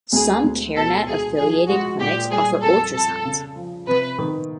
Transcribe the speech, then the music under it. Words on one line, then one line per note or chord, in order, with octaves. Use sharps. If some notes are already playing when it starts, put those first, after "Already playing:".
Some Care Net affiliated clinics offer ultrasounds.
D2 G#4
D2
B2 A4
E1 G#4
F3 G#4
G#3 F#4
A#2 G4
G3 G#4
F2 A4
F2 A4
C#3
F3
C3 B4
D#3